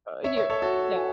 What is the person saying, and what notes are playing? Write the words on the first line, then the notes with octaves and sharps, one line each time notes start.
Ah, here, yeah,
C#5 E5
C#5 E5
A4 C#5
F#4 A4